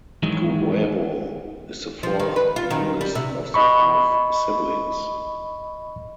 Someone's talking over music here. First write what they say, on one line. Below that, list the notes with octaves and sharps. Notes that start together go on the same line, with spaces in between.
Guerrero is the fourth youngest of the five siblings.
G#2 D#3 E3 F#3 G#3
F3
D#3
B4
F4
D#3
G3
C3
D#5 B5 C#6